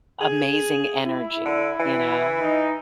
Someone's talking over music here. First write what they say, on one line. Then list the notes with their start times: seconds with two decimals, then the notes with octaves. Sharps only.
amazing energy, you know?
0.21 G#4
1.05 E4
1.45 D3
1.80 E3
2.41 D#4